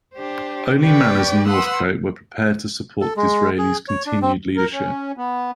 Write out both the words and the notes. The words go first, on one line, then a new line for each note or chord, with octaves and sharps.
Only Manners and Northcote were prepared to support Disraeli's continued leadership.
D4 G4 C5
G4 B4 D5 G5 C#6
B4 F#5 C6 D#6 E6 F#6
A4
G#3
G#4
C#5
D4
C4
A#4
C#4
B3